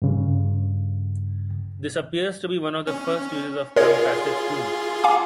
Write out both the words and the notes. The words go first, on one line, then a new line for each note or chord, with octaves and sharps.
This appears to be one of the first uses of the term passage tomb.
G2 C#3
C#4
F4 G#4 A#4 C#5 C6
F5 G#5 D6